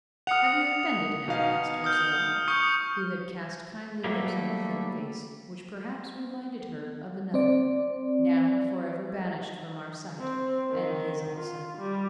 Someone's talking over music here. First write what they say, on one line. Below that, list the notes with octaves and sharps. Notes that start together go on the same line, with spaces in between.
"Have you offended him?" asked Ursula, who had cast kindly looks on the thin face, which perhaps reminded her of another--now for ever banished from our sight, and his also.
F#5 D#6 F6 C#7 F7
B2 D#4 F5
D#6 F6 G6
C#6 D#6 G6 C#7
F#3 G3 A3 A#3
C4 D5
C4
D#3
F4
G3